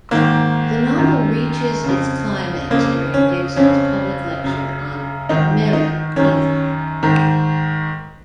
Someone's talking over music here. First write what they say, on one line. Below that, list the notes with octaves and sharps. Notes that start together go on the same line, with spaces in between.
The novel reaches its climax during Dixon's public lecture on "Merrie England".
G#2 D#3 A#3
F#2 D#3
F2 C#3
F2 C#3 A#3
C#4
F2 C#3 C#4
F#2 C#3
G#2 D#3 D#4
D#4
F#2 D#3 C#4
G#2 D#3